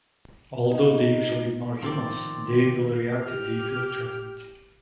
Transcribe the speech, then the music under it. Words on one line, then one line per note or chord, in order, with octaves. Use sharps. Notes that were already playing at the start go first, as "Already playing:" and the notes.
Although they usually ignore humans, they will react if they feel threatened.
D#4
D#3 F3 C4 D5
G4 F6